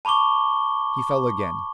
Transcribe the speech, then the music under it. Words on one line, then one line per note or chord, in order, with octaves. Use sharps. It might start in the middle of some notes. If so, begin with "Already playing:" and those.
He fell again.
A5 B5 C#6 D6 G7